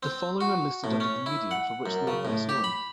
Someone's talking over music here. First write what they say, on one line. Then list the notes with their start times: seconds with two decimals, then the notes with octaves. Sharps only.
The following are listed under the medium for which they are best known.
0.03 C4
0.41 F#4
0.84 A2
1.00 C#4
1.26 E4
1.51 F#5
1.86 F#2
2.07 C#3
2.25 A2
2.49 G4
2.64 B5